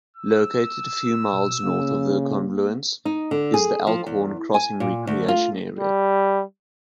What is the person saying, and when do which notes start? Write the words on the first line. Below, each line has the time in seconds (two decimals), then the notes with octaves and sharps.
Located a few miles north of the confluence is the Elkhorn Crossing Recreation Area.
0.16 E6
1.33 B2
1.63 C#3 A#3
3.05 D#4
3.31 D3
3.54 G#4
3.87 F3
4.06 E2
4.54 G#5
4.80 A#2
5.07 D2
5.28 F4
5.79 G3